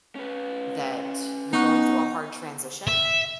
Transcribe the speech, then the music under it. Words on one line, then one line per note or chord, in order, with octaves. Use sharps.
that you're going through a hard transition
C#4 B4
B3 D#4 F#5 C#6 F#6
E5